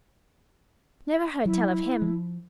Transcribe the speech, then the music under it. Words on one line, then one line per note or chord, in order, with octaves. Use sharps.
"Never heard tell of him!"
F#3 E4
F3